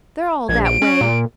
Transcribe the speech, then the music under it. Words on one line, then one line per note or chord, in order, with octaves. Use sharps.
They're all that way.
A#1 G#6
D7
C#4
A#2